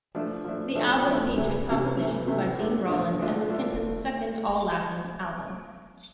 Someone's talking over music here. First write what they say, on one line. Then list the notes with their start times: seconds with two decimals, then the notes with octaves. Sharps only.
The album features compositions by Gene Roland, and was Kenton's second all-Latin album.
0.15 F3 A3 D4
0.44 F3 A3 D4
0.75 F3 A3 D4
1.06 F3 A3 D4
1.36 C3 E3 A3
1.67 C3 E3 A3
1.97 C3 E3 A3
2.27 C3 E3 A3
2.58 D2 D3 A3 D4 F4
2.88 D2 D3 A3 D4 F4
3.19 D2 D3 A3 D4 F4
3.50 D3 A3 D4 F4